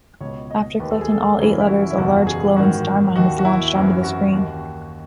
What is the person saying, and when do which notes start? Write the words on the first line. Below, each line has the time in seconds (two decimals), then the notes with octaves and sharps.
After collecting all eight letters, a large glowing Starmine is launched onto the screen.
0.21 C#2 B2 C#5
0.51 D#5
0.80 D#2 D#3 B4
0.91 A4
1.01 G#4
1.12 A4
1.39 F#1 F#2 E3 G#4
1.60 E4
1.68 F#4
1.90 E4
1.98 F#1 E2 B2 F#4
2.27 G#4
2.56 A1 G#2 D#3 F#4
3.15 D#2 D#3 F#4
3.39 F#4
3.45 E4
3.74 G#1 F#2 E3
4.03 F#4
4.33 D#2 D#3